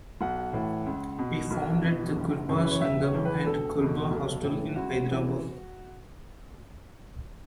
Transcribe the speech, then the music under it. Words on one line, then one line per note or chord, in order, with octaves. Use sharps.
He founded the "Kuruba Sangham" and the Kuruba hostel in Hyderabad.
B1 F#5
A2 E3
C#2
B2
B1
B2
F#1
F#2 C#3 E3
B4
C#5
E1 E5
C#5
E2 E3
B4
E1 A4
E2 B2
B1
A2 E3
C#2 F#4
C#3 E3